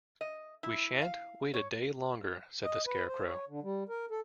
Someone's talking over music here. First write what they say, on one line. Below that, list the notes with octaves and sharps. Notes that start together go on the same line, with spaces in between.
"We shan't wait a day longer," said the Scarecrow.
D#5
E4
F5
C#5
D#5
B4
C5
C#5
D3
G3
A#4
A4